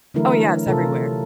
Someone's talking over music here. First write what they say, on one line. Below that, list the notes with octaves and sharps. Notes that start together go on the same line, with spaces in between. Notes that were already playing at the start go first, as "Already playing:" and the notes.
Oh, yeah, it's everywhere.
D3 E3 F#3 A3 E4 A#4
C3 F4 A4 A#4